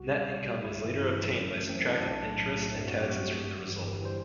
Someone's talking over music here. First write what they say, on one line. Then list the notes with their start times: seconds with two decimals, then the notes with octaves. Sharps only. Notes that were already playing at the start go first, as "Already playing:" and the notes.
Net income is later obtained by subtracting interest and taxes from the result.
Already playing: C2 F#4
0.10 B2 G3
0.28 C2
0.45 B2 G3
0.63 G1 E4
0.80 G2 E3
0.98 G1
1.17 G2 E3
1.34 F#2
1.51 E3 A3
1.69 F#2 C4
1.86 E3 A3 D4
2.00 C4
2.04 B1 D4
2.22 A2 F#3 A3
2.40 B1
2.58 A2 F#3 A3
2.75 G2 C4
2.88 F#4
2.93 F#3 A3
3.00 G4
3.11 G2 F#4
3.28 F#3 A3
3.46 G1
3.64 G2 E3 G3
3.82 G1 G4
4.01 E3 G3 C5